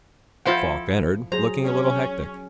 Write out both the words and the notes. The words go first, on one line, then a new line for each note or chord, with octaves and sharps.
Falk entered, looking a little hectic.
F3 E4 F4 A4 C5 F#5
F#3 G#4 C5 A#5
C#4